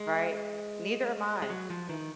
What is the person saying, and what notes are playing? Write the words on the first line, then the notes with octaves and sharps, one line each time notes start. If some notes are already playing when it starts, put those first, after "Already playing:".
Right. Neither am I. Yeah.
Already playing: G#3
G#3
F#3
F3
D#3